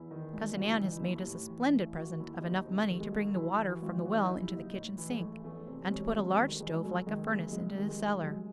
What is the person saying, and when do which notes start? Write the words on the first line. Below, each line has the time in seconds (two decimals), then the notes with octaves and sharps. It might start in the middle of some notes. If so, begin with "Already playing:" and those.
Cousin Ann has made us a splendid present of enough money to bring the water from the well into the kitchen sink and to put a large stove like a furnace into the cellar.
Already playing: E2 E4
0.11 D#3
0.33 E1
0.57 C#3 F#4
0.70 E4
0.80 E3 D#4
0.96 E4
1.03 D#2
1.26 A2
1.50 E3
1.72 A1
1.96 D#3 F#4
2.19 D#2 E4
2.42 D#2 D#4
2.65 C3 C4
2.83 A3
2.89 D#3
3.00 G#3
3.12 C2
3.18 A3
3.35 F#2 E4
3.58 E3
3.70 F#4
3.82 G#1
4.05 E2 F#4
4.14 D#4
4.23 C3 E4
4.40 E4
4.51 F#1
4.57 D#4
4.75 A2
4.97 E3 E4
5.10 G#3
5.20 A1 A3
5.44 E2 A3
5.67 C3 C4
5.83 C4
5.91 E1 C#4
6.14 D#2 C4
6.31 C4
6.37 D#3 A3
6.60 E1 G#3
6.83 F#2 A3
7.07 D#3 G#3
7.29 F#1 G#3
7.52 C3 G#3
7.77 D#3
7.88 G#3
7.99 C2
8.23 F#2 G#3